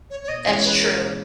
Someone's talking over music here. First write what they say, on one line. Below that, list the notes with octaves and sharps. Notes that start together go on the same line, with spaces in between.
That's true,
C#5
C#5
D#5
C#3 E3 G#3 C#5
B4
A#4